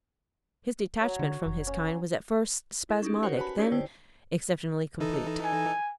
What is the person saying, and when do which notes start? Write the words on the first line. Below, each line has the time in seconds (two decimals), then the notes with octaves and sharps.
His detachment from his kind was at first spasmodic, then exceptionally complete.
1.01 F#3 C#5
1.19 D3
1.46 F1
1.67 C#4
2.89 E4 A4
3.03 C#4 D#4 G4
3.23 F#4 A#4 C5 C#5 F#5
3.37 F#4 B4 G#5 A5 B5
3.58 C#4 D#4 E4 G4 C#5 D5
3.72 D3 C5 G5 E6
5.00 E3 D#4 A4
5.44 G#5